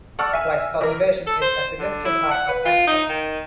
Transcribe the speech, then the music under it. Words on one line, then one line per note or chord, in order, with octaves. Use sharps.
Rice cultivation is a significant part of agriculture.
A4 D5 F#5 C#6 E6 F6
E5 G#5 D#7
E3 A#4
A4
C5
D3
E4
F#5
B4
F4
D#4
D#3